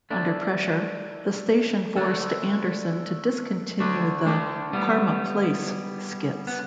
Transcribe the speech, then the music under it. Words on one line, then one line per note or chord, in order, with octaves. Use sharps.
Under pressure, the station forced Anderson to discontinue the "Parma Place" skits.
A3 D4
A3 D4
A3 D4
A3 D4
G3 B3
B3